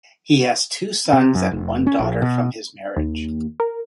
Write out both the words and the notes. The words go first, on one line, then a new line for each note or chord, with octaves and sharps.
He has two sons and one daughter from this marriage.
C3
F#2
F1
C#4
A#1
B2
D#2
A#4